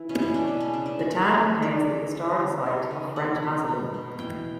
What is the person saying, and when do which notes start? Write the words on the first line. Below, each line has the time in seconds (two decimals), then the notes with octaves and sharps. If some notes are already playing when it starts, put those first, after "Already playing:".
The town contains the historic site of French Azilum.
Already playing: E3 E4
0.09 B2 C#4
0.22 C#4
0.34 B2 D4
0.48 C#4
0.60 C#3 C#4
0.74 D4
0.86 C#3 D4
0.99 F#4
1.11 C#3 C#5
1.38 C#3
1.62 E3 D5
1.89 E3
2.15 C#4
2.40 D3
2.66 C#3
2.91 C#3
3.16 B2 F#5
3.43 B2
3.68 B2
3.94 B2
4.19 E3 G5